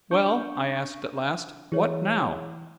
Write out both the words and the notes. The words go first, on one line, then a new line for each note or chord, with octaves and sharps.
"Well," I asked, at last, "what now?"
D4 C#6 G6 G7
E3 G#4 C#5